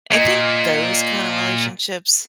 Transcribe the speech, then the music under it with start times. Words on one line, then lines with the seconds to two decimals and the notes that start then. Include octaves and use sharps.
I think those kinda relationships
0.12 A#2 D#5 G#6 D7